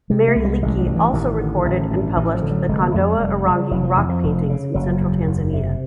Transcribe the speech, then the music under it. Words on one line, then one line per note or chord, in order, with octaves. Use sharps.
Mary Leakey also recorded and published the Kondoa Irangi Rock Paintings in central Tanzania.
C3 G#3
A3
C2
G#3
A1 G#3
F#3
G2
E3
A1 D#3
D3
A1
G2
A1 E3
F3
D3
F#3
F1 G#3
A#3
F2 A3
G#3
F1 G3
C#3
F1 F#3
F3
F2 E3
F3
F1
C#3
F#1 F#3
E2
F#1
C3